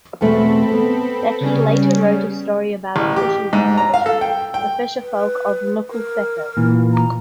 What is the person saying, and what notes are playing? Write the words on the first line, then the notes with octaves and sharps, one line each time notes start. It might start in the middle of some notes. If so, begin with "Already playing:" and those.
Becke later wrote a story about a fishing expedition: "The Fisher Folk Of Nukufetau".
E2 B2 A3 C4 A4 B5
B3
C#3 G3 C#4
A1
G4
G#2
A#5
F5
A4
G5
G5
B4
A#4
A#2 E3
A#5